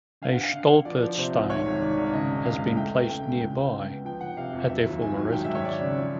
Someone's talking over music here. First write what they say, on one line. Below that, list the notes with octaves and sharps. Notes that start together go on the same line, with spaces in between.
A "stolperstein" has been placed nearby at their former residence.
D3 F5
F#5
D3
F5
D3
D3
F3 D5
F3
C3 C5
C2
D#3 C#5
G#1
D#3 D5
G#1
D5
C#3 D#5
E1
E1 F5
C#3
A3 G5
A3
C#3 G5
D2
C#2
C#2
C#2
B3
F3 G5
G1 F#5
C3 F5
F2
F#3 E5
D#2
D#3 G#5
F#3
G#1 G5
E5
G#1
C#5
G#1 D5
C#3
F3